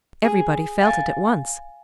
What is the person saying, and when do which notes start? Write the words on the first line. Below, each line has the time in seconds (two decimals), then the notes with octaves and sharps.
Everybody felt it at once.
0.25 G#4
0.81 F5 G#5 A6